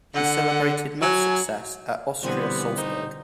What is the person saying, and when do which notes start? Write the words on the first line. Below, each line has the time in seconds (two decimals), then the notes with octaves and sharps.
He celebrated most success at Austria Salzburg.
0.15 D3 F#5
1.02 F#3 G#5
2.23 B2 D3 E3 G3 B3 C4 G#5
2.77 D#4 C5